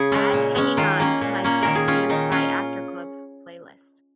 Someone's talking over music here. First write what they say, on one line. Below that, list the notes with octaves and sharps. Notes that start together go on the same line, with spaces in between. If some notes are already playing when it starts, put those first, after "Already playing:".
Add Hanging On to my just dance by aftercluv playlist.
Already playing: C#3 G#4
G#3 C#4
A#2
G#3 C#4
D#3 F4
A#3 C#4
A#2
A#3 C#4
D#3 A#4
G#4
C#4 F4
D#3 D#4
C#4 F4